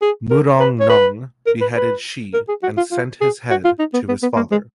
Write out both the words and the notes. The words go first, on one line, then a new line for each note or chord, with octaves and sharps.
Murong Nong beheaded Shi and sent his head to his father.
G#4
A#4
B4
C#5
B4
A#4
B4
B4
A#4
G#4
F#4
F4
F4
G#4
F#4
F4
D#4
B3
B3
B3
A#3
G#3